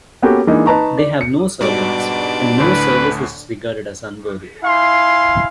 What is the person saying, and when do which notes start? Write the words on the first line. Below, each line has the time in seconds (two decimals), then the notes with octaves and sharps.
They have no servants, and no service is regarded as unworthy.
0.22 A#3 B3 C#4 F#4 G4 A4
0.47 E3 G#3 A#3 D4 D#4
0.66 D#4 B4 A5 A#5 C#6
0.97 D5
1.21 C#7
1.60 G#2 B2 G3 D4 F#4 D5
2.59 D2 A2 D3 B4
4.64 E4 F5 G#5 C6